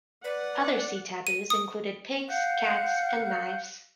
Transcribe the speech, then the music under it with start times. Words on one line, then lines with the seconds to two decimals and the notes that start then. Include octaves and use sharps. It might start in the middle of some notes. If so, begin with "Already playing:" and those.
Other sea taboos included pigs, cats, and knives.
0.24 B4 D5 F#5
1.27 D#7
1.50 D#6
2.27 F5 F#5 F#6 G6